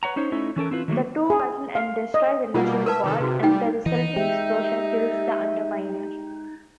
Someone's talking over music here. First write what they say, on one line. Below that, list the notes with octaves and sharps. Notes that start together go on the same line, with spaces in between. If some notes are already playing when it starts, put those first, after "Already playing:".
The two battle and destroy the Gilgenbot, and the resulting explosion kills the Underminer.
B4 C#5 F#5 A#5
C#4 D#4 C5 C#5
A3 C#4 D#4 E4
E3 C#4 A4 A#4
C4 E4 F4 B4
D#3 F#3 A3 A#3
G#4
F5
D#5
B2 G3 A#3 F4 A#4 F#5
A#4 B4 E5 A5
C3 D#3 A4
C3 F#4 G#4 B4
G3 D#4 G5
E3 D#4
G#3 G4 E5